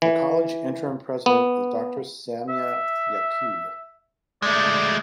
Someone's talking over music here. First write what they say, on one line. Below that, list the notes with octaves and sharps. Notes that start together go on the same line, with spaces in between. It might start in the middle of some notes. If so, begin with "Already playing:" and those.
The college interim president is Doctor Samia Yaqub.
E3
B3
E5
G#3 A3 D5